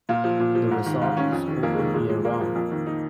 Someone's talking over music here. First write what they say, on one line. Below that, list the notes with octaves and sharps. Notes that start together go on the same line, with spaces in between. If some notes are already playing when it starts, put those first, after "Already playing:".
The resort is open year-round.
A#2 F4
F3
A#2
F3
G#2
D#3
G#2 F4
D#3 C#4
F2
D#3
F2 A#3
G#3
D#3
A#2 G#3
F3 G#3
A#2 A#3
F3
F2
D#3
D#4